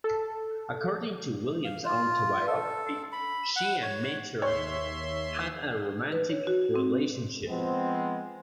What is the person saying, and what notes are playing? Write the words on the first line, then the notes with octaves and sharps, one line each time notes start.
According to William's autobiography, she and Mature had a romantic relationship.
A4
F5
F4
A4
B5
F#5
C#5
D#2 C#5 E5 C6
B4
C#5
F#4
C4
F3 G#3 B3 C4